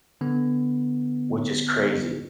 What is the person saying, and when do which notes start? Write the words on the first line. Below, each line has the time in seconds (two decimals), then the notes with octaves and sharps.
which is crazy.
0.21 D3 B3